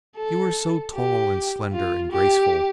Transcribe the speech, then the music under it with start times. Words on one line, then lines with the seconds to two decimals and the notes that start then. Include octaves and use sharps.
You are so tall and slender and graceful.
0.17 A4
0.95 G4
1.72 F4
2.12 G4